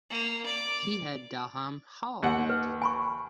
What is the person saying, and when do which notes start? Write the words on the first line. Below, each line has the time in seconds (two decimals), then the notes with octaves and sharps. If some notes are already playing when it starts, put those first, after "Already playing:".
He had Dalham Hall built.
0.10 A#3
0.45 D5 D6
2.23 D#2 F#5
2.50 B4
2.82 G#5 B5 C#6